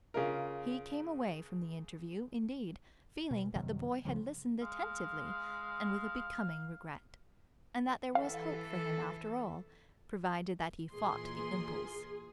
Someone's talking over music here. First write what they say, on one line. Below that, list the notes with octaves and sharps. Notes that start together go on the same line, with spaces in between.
He came away from the interview, indeed, feeling that the boy had listened attentively and with a becoming regret, and that there was hope for him after all, provided that he fought the impulse.
C#3 F4 A#4
B2
F#2 C3 D#3 F#3
C#2 C#3 F3 G3
G#3 F5
E3 A4 F5
A#2 E3 G#4 C6